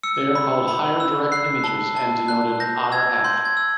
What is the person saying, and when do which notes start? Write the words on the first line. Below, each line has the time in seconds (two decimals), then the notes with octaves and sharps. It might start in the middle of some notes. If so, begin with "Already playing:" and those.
They are called higher direct images and denoted "R f".
0.03 E6 C#7
0.35 B5
0.68 B5
1.00 E6
1.32 F#6 C7
1.64 A5
1.96 A5
2.28 F#6
2.60 G6 A#6
2.92 E6 G#6
3.24 C6 G6
3.45 G#6
3.57 E6